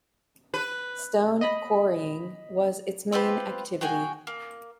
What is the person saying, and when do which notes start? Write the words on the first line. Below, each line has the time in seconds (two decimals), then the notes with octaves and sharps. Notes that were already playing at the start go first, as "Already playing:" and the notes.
Stone quarrying was its main activity.
0.54 B4
1.41 D#5 B5
3.12 C4 F4 G4 B4
3.81 F#4 G#4 G5 G#5
4.27 A#3